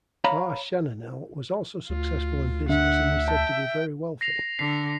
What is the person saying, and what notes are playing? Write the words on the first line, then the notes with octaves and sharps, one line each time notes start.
R. Chananel was also successful in business and was said to be very wealthy.
C#5 F5 A#5 B5
D2 F4
D3 E5 F#5
G5 A5
A#6 C7 F7
D3 B6 C7